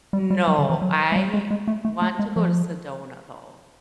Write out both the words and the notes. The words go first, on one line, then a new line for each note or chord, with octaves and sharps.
No. I want to go to Sedona, though,
G3
G3
F#3
D3
E3
F#3
G#3
G3
G#3
G#3
A3
A3
A3
G#3
F3